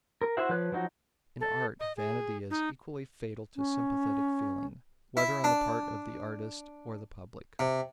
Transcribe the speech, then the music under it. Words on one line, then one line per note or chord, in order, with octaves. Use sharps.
In art vanity is equally fatal to sympathetic feeling, whether on the part of the artist or the public.
A#4
E4 F#4 C5 E5 F#5
F3 B4 C#5 F#6
F3 F#3 D#4 F#4
A4
D#5
G#4
D#4
C#4
E4
D4
C3